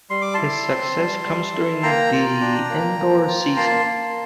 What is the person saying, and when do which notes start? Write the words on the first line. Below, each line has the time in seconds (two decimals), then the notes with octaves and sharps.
His success comes during the indoor season.
0.10 G3 C6
0.22 D6
0.34 E4 A5 C6
0.68 C4
0.97 G3
1.25 G3
1.54 E4
1.83 A#3 G5 A#5
2.12 F4
2.40 D4
2.69 A#3
2.99 A#3
3.28 F4
3.57 A#3 A5 C6
3.85 A#3